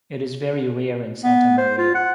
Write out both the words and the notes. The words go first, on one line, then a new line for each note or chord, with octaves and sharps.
It is very rare in Santa Maria.
B3
C5
F4
F#5